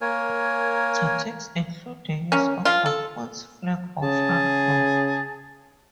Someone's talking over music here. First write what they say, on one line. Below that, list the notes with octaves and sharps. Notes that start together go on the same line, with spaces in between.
Tactics include the use of a false flag or front group.
A#3 A#4 C#5 G#5
A#3 C#4
F3 F4
A4
C#3 G#4 A5